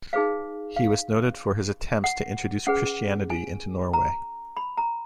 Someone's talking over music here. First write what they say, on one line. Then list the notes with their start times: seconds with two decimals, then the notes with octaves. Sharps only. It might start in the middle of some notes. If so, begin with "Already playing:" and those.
He was noted for his attempts to introduce Christianity into Norway.
0.13 D#4 G#4 B4 F5
0.76 F5
2.04 F#5
2.67 C#4 G#4 B4 F#5
3.30 G#5
3.93 A#5
4.57 B5
4.77 A#5